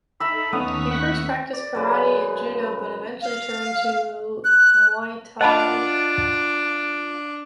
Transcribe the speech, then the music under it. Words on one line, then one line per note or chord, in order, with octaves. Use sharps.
He first practiced karate and judo but eventually turned to Muay Thai.
D#4 A4 E5 A#5 B5 E6
D#2 A3 B3 C#4 F5 C#6 D#6 B6
F#5
D5
F#2 C#3 B4
F5
F#6
D4 F4 D#5 F#5 A5 B5